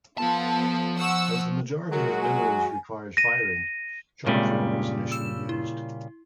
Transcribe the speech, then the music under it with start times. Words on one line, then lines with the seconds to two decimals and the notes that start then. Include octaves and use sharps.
As the majority of minerals required firing, charcoal was initially used.
0.18 F3 B3 F4 A4 A5
0.97 F#5 C#6 E6
1.90 F#3 G#3 F#4 A#4
2.21 G#5
3.17 A#6 D#7
4.26 A#2 C#3 G3 G#3 C4 C#4
5.12 E6 E7
5.49 E4